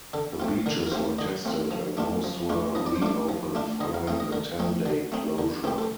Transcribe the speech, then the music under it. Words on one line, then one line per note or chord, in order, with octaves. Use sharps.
The beaches were tested and most were reopened following a ten-day closure.
D3 A4
A3 C4 F4
D3 A#4
A#4
A3 C4 F4 C5
D3 D#5
A3 C4 F4
F3
A3 D4 F4
F3
A3 D4 F4
F3 D#5
D5
C5
A3 D4 F4 D5
F3
A3 D4 F4
D3 D#5
F5
A3 C4 D#4 F5
D#5
D3 A#4
A3 C4 D#4
D3
A3 C4 D#4
D3
A3 C4 D#4 G4
A4